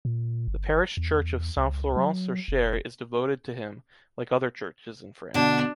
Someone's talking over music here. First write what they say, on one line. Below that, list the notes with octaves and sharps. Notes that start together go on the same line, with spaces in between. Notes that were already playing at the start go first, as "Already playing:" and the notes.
The parish church of Saint-Florent-sur-Cher is devoted to him, like other churches in France.
A#2
G1
E2
C#2
F#3
F1
B2 D3 D4